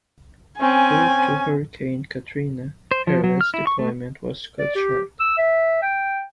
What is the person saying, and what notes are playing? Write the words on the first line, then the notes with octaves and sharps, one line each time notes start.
Due to Hurricane Katrina, her last deployment was cut short.
C4 C#4 G#5
C#4
C5
F3
F#3
F6
E4
C#6
A3
D5
G4
E6
E5
G5